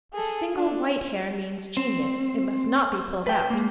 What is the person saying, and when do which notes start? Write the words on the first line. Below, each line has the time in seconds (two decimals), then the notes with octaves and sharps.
A single white hair means genius; it must not be pulled out.
0.12 G#4 A4
0.54 D4
1.77 C4
3.27 B4 G5
3.50 G#3 A#3